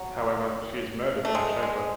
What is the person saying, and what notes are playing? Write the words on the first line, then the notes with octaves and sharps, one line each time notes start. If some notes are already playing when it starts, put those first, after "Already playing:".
However, she is murdered by Shafer.
Already playing: F#3
A3
G#3
G#3